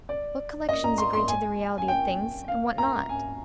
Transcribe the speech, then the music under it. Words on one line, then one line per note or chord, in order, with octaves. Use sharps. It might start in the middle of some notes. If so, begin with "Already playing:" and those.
What collections agree to the reality of things, and what not?
D5
D#5
A#5
C6
C6
G#5
G#5
G5
F5
A#5
G#5